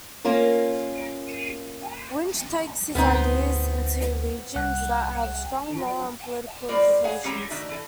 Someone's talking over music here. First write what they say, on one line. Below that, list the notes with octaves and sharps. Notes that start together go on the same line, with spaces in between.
Winch takes his ideas into regions that have strong moral and political implications.
A#3 C#4 F4 A#4
D2 B3 C4 D#4
C2 F#5 F#6
G3 B3 F4 A#4 C5 D5
G#4 C#5 F5 F#5 G#5
E3 G#3 C#4 G4 C#5 A#5
D#3 A3 D4 D#4 F#4 E5
E3 A4